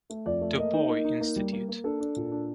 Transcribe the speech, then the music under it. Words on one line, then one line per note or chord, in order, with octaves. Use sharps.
Du Bois Institute.
A3
F2 D5
A3
A#3 D#5
D#4
A#3
D#4
A#3
G3
A#3
A#3
D4 A4
D4
A#2
D4